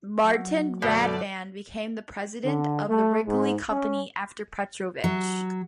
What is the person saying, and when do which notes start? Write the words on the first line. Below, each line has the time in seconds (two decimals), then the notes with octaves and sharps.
Martin Radvan became the president of the Wrigley Company after Petrovich.
0.23 F#3 F#4
0.82 F#2 B2 D3 A3 D5
2.44 D3
2.88 A3
3.26 G#2
3.71 C#4
5.04 F#3